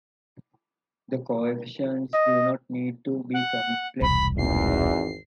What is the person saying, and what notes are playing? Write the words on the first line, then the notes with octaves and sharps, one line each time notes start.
The coefficients do not need to be complex numbers.
D#5
F#5
E1 C2 B5
G#1 E2 C7